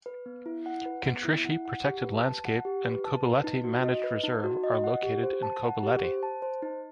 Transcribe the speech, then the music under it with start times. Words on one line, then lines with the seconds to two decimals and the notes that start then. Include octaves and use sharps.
Kintrishi Protected Landscape and Kobuleti Managed Reserve are located in Kobuleti.
0.06 B4
0.26 B3
0.46 E4
0.66 F#5
0.86 B4
1.05 B3
1.25 E4
1.45 F#5
1.65 F#5
1.84 G4
2.04 B4
2.25 A5
2.45 F#5
2.65 G4
2.85 B4
3.05 A5
3.25 B4
3.44 D#4
3.64 F#4
3.84 D#5
4.04 B4
4.23 D#4
4.44 F#4
4.63 D#5
4.84 F#5
5.03 G4
5.23 C5
5.43 A5
5.63 F#5
5.83 G4
6.03 C5
6.23 A5
6.42 C5
6.62 D#4